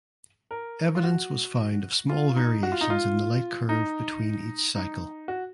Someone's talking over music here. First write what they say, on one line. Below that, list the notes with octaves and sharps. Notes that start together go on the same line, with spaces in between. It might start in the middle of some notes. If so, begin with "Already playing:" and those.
Evidence was found of small variations in the light curve between each cycle.
A#4
F4
F#4
F4
D#4
F#4
F4
D#4
F4
D#4
D#4
F#4